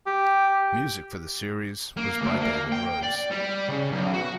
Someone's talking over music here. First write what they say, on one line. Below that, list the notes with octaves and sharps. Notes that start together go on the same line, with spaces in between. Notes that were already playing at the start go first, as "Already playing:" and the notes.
Music for the series was by David Rose.
G4
A#3
D2
A#3
G5
D5
G3
C#3
B1
F#4